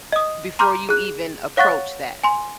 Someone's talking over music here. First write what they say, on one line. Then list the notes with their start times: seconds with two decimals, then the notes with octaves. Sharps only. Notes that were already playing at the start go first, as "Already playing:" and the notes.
before you even approach that.
0.12 D#5 D#6
0.59 A#5 C6 D6 F6 G6
0.89 G#4 F#6
1.57 C#5 F5 F#5 C#6 F#6 A6
2.24 G#5 C6